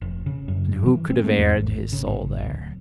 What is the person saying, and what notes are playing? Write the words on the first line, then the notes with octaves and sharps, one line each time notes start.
And who could have aired his soul there!
F1
C#3
F#2
E3
C4
A3
E2
G#1
C#3
A1
D1